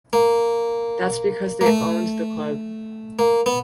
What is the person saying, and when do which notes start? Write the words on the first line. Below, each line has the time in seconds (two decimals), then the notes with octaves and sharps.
That's because they owned the club.
0.13 A#3
1.61 A#3
1.66 A3
3.19 A#3
3.46 B3